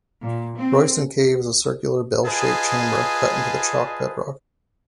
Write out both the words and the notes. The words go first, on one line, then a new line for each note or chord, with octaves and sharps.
Royston Cave is a circular, bell-shaped chamber cut into the chalk bedrock.
A#2
C4
F4 G#4 B4 D#5 G#5 A5